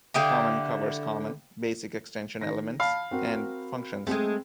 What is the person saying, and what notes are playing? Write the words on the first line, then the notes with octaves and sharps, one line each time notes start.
Common covers common, basic extension elements and functions.
D3 E4 G4 F5 G5 D#6
D#3 A#6
F5 A5 B5
C4 F#4 A#4
G#3 A3 C4 G#4 G5